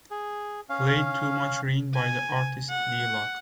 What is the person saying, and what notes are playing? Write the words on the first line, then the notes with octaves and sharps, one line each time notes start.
Play Too Much Rain by the artist D-loc.
G#4
C#4 F5
G#5
F#5